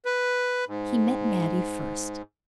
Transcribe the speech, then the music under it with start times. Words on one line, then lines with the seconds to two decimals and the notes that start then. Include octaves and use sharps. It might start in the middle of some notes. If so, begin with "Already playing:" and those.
He met Mattie first.
0.05 B4
0.67 G#2